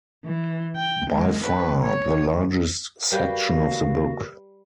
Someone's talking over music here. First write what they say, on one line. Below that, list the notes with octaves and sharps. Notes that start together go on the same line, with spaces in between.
By far the largest section of the book.
E3
G5
G#3
B4
C#5
G3 F#4 G4 A#4 B4 F5